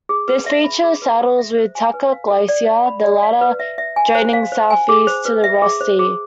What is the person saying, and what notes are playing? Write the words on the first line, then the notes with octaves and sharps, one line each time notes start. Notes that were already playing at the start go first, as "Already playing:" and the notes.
This feature saddles with Tucker Glacier, the latter draining southeast to the Ross Sea.
G#4
B4
E5
B5
G#4
B4
A4
E5
C5
G#5
B4
F5
A4
D5
F5
B5
D5
F5
B4
E5
E5
G#5
C5
F5
C5
G#5
G#4
C5
B4
E5
G#4
C5
G#4